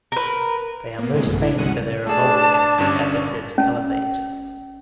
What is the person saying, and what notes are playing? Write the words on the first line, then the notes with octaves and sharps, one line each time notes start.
They are most famed for their revolt against the Abbasid Caliphate.
A#4 B4
A#3 B3
A2 C3 G#3
A1 F#2 B2
D4 E4
C2 G2 G#3 C#4 F#5 D#7
A3 D4 G#4 A5
G1 G2 C#4
C#4